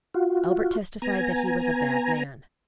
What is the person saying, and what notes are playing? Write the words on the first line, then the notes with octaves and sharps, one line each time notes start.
Albert testified that he was a bad man.
F4 F#4
B3 G#5 A#5